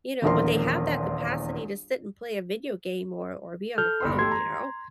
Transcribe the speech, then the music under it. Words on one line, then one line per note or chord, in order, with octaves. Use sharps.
you know, but they have that capacity to sit and play a video game or or be on the phone, you know,
D#1 A#1 E2 A#4 C6
A4 F6 G6
G1 B5 C6
A3 G4 A4 C6 G#6
A#5